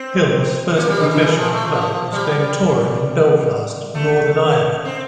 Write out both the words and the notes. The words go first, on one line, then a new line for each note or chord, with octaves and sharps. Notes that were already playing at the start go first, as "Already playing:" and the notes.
Hill's first professional club was Glentoran in Belfast, Northern Ireland.
Already playing: C4
A#3
G3
D3
D3
E3
F3
A3
F3
G3
A3
C4